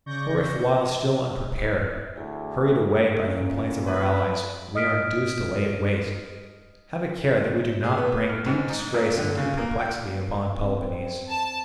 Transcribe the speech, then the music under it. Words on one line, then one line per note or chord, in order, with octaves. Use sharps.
For if while still unprepared, hurried away by the complaints of our allies, we are induced to lay it waste, have a care that we do not bring deep disgrace and deep perplexity upon Peloponnese.
C#3 D5 C#6 G6 A#6
D2 E4 G#4
A#2 A#3 C#4
B4
D#5 D#6 F6 B6 D7
G#4
B3
F6
G#2
D#4
A#2
D3
C#3
A#3
G5
C4
A5